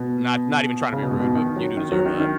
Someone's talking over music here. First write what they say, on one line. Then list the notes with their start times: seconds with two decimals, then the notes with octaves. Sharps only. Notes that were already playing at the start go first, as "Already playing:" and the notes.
Not not even trying to be rude, but you do deserve that."
Already playing: B2
0.93 C#3
1.02 B2
1.11 G#2
1.20 B2
1.35 D#3
1.56 F#3
1.77 D#3
1.92 F#3
2.06 D#3
2.20 D#3